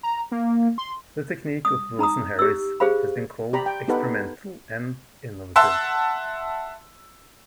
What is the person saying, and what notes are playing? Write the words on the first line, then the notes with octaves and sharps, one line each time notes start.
The technique of Wilson Harris has been called experimental and innovative.
A#5
A#3
C6
D#6
D#4 A#5 B5 D#6
G4 E6
G4 G#4 C5 F5 B5
G4 D5 A#5 B5
G5
B3 D#4 G4 A4 B4 F#5
E5 F#5 A5 C6 E6